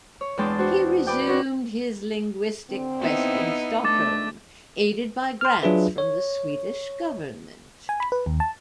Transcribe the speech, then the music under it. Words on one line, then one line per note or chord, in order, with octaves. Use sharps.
He resumed his linguistic quest in Stockholm, aided by grants from the Swedish government.
C#5
E2 G#3 D4 G5 A5 C6
D4 F#4 C5
B4 D5 G5
C4 D4 F#4 C#5
D3 C4
B3 D#4 E4
A3 D4 D6 A6
C6 F6
F#3 D4 F4 G#4 B4 E5
C#5
G#5
B5
B4
D#2
A5